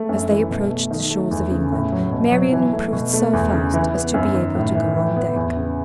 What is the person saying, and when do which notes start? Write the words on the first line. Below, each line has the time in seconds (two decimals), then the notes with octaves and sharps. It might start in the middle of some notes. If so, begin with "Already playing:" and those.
As they approached the shores of England, Marian improved so fast as to be able to go on deck.
Already playing: A3
0.09 F#2
0.30 E3
0.50 B2
0.70 A3
0.91 D#3
1.10 A3
1.31 E2
1.51 C#3
1.72 A2
1.92 F#3
2.12 B2
2.32 F#3
2.52 E3
2.73 A3
2.93 B2
3.13 A3
3.33 E2
3.53 C#3
3.74 E3
3.94 B3
4.14 F#2
4.34 D#3
4.55 A2
4.75 E3
4.96 E3
5.16 B3
5.36 E2
5.57 C#3